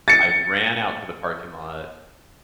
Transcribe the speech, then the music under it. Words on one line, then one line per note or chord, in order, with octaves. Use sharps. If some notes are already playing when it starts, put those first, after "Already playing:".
I ran out to the parking lot.
A6 C#7